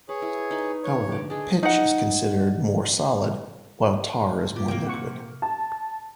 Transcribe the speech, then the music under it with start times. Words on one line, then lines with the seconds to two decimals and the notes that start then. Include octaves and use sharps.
However, pitch is considered more solid, while tar is more liquid.
0.09 G#4 B4 C#5
0.22 E4
0.51 D#4 B4
0.83 C#5
1.12 D3 D6
1.30 G#3 D4 G#4
1.63 D#4 F#5
4.56 A#2 G4
4.68 C3 A#3 G5
4.87 F#5 C#6
5.42 A5